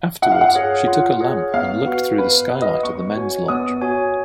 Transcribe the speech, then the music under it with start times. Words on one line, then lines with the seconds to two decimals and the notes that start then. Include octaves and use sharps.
Afterwards, she took a lamp and looked through the skylight of the men's lodge.
0.22 F4 F#5
0.32 F5
0.41 F#5
0.55 G#4 C#5
0.87 F4
1.21 G#4 C#5
1.54 B3 F5
1.85 F#4 B4 F#5
2.18 B3 B4
2.51 F#4 B4 F#5
2.62 D#5
2.83 B3 C#6
3.16 F#4 C#5 G#5
3.48 B3 D#6
3.81 F#4 C#5 G#5